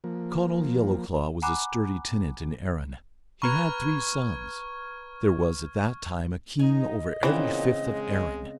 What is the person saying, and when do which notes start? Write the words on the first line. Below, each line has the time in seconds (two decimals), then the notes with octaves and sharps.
Conall Yellowclaw was a sturdy tenant in Erin: he had three sons. There was at that time a king over every fifth of Erin.
0.04 F3 A#3
1.42 F#5 G#5 A#5 B5 D6 F#6
3.42 B4 A#5 B5 C#6 F6 G#6
6.59 D#4 D#5 G#5
7.23 A#2 C#3 E3 B3 C4
7.84 G#3